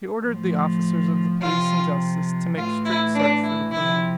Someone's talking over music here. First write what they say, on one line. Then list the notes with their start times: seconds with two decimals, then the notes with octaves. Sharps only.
He ordered the officers of the police and justice to make strict search for the criminal.
0.24 A2 F3
1.40 C3 F3 F4
2.56 A2 E3 F4
2.85 E4
3.14 D4
3.42 E4
3.71 C3 F3 E4